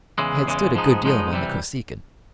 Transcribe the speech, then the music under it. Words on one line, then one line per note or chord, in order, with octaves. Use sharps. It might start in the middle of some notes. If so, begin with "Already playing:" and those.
I had stood a good deal among the Kosekin.
E2 C#3 E3 G#3
E2 C#3 E3 G#3
G#2 F3 G#3 B3 D#4
G#2 F3 G#3 B3 D#4
C3 E3 G3